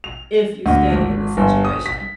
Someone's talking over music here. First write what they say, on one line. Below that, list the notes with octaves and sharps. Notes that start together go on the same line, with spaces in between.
if you stay in the situation,
F7
D2
G#1
G1
D#6
B6